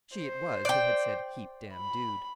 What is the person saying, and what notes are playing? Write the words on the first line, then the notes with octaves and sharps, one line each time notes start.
She it was who had said "Heap dam dood."
C5
D5 G5
B5